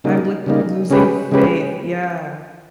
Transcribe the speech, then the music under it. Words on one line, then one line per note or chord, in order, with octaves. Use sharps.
I'm, like, losing faith yeah.
C#3 G3 A#3 D#4
C#3 G3 A#3 D#4
C#3 G#3 C#4 G4 B4
C#3 G#3 C#4 G4 B4